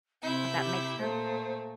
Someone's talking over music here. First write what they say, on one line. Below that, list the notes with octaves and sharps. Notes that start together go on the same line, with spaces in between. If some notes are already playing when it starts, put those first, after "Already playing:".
If that makes sense.
C3 C4 E4 G6
G4
A#2 A3 C5